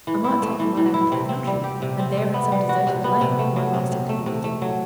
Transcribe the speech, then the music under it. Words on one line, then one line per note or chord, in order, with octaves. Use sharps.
I might take him right out into the country, and there in some deserted lane have my last interview with him.
E3
E4
A3
E3
E3
E4
C3
C4
G3
G4
C3
C4
C3
B3
G3
F#4
C3
B3
C3
A3
F#3
C3
C3
A3
C3
A3
F#3